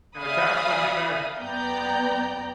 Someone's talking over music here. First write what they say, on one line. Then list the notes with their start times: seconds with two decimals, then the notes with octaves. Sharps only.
and the cat went in there
0.17 D5 E5 F5 G#5 B5 D#6
1.38 F#2 B3 D5 G5 A#5 G6